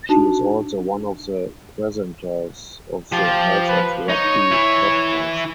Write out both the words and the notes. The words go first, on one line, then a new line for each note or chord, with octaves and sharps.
She is also one of the presenters of the "House of Rugby" podcast.
D4 D#4 F#4 A5
F3 F4 G4
B4
D#4 C#5
E3 E4